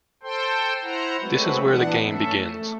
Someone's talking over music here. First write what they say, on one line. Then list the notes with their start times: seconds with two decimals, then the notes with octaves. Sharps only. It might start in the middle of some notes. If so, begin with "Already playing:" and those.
This is where the game begins.
0.23 A4 C5 G5 C6
0.84 E4 C5 F#5 A#5
1.21 F#3 G#3 A3 C4 F#4 B4
1.65 E3 B3 D4 F#5
2.08 A3 C#4 A4 E5
2.40 A3